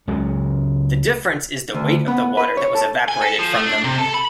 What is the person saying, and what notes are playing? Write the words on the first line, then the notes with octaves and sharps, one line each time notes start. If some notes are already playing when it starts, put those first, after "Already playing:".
The difference is the weight of the water that was evaporated from them.
C#2 C#3 F#3 G#3
D2
B3
B4
C#5
A4
G#5
A4
F3
A3
D4
C3
A4
B5